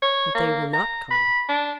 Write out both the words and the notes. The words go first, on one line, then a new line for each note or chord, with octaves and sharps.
"But they will not come."
C#5
A#3
A#5
B5
D4